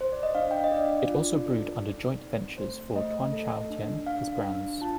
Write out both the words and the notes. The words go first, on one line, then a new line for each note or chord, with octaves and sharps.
It also brewed under joint ventures for Tuan Chau Tien, his brands.
C5
D5
D#5
D4 F5
G5
F5
D#5
D4 D5
F4
A4
D#4
C4
A3 C5
A3 D#5
A4
D4
D4 F5
D4
F4 A5